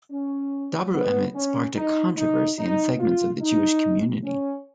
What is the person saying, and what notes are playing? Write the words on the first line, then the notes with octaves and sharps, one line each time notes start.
Dabru Emet sparked a controversy in segments of the Jewish community.
C#4
B3
C#4
D#4
D#4
D#4
F4
D#4
C#4